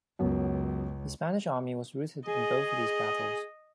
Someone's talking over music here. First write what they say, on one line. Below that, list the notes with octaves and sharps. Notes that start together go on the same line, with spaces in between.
The Spanish Army was routed in both of these battles.
C#2 F#2 B3
G#4 D#5